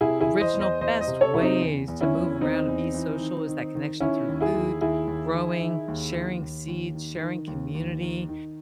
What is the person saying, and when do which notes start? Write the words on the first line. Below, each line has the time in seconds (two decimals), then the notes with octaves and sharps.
original best ways to move around and be social is that connection through food, growing, sharing seeds, sharing community,
0.01 C3 E4 G#4
0.21 E4 G#4
0.27 E3
0.41 C5 D#5
0.54 E2
0.60 C5 D#5
0.81 E2 C5 D#5
1.01 C5 D#5
1.07 C3
1.21 A4 C#5
1.34 C3 E4
1.41 C4 D#4
1.61 E2
1.88 E2
2.01 C#4 E4
2.14 E2
2.41 E2 C4 D#4
2.68 E2
2.94 E3
3.21 D#3
3.48 D#3
3.75 D#3
4.00 D#3 C#4 E4
4.28 D#2
4.41 E4 G#4
4.54 D#2
4.81 D#2 E4 G#4
5.07 D#2
5.35 D#3
5.61 D#3
5.88 D#2
6.14 D#2
6.41 D#2
6.68 D#2
6.94 D#3
7.21 D#3
7.47 D#2
7.75 D#2
8.02 D#3
8.29 D#3